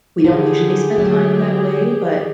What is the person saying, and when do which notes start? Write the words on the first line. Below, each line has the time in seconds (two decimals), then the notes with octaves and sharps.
we don't usually spend time that way, but
0.24 D3 D#3 G4 G#4
0.98 D3 F#3